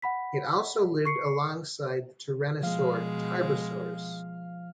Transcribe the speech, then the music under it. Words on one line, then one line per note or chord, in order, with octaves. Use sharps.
It also lived alongside the tyrannosaur "Tarbosaurus".
F#5 B5 B6
C#6 C7 C#7
B2 F3 G#3 F5 F6